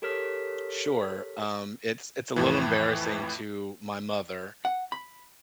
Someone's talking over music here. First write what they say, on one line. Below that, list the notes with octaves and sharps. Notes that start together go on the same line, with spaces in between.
Sure, um, it's it's a little embarrassing to my mother,
G4 A4 A#4 C#5 F6 B6
F2 A2 E3
F#5
B5